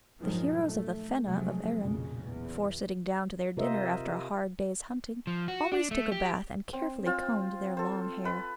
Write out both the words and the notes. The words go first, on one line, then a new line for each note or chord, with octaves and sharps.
The heroes of the Fena of Erin, before sitting down to their dinner after a hard day's hunting, always took a bath and carefully combed their long hair.
G2 A#2 D#3 F3 F#3 G#3
A3
C3 F3 F#3 G#3 A3
B1 F2 A#2 C#3 G#3
E2
C3 F4 A#4 C5 D#5 E5
F3
F#4
D4
A3
G4
C4
C4 F4
A4 C5
B4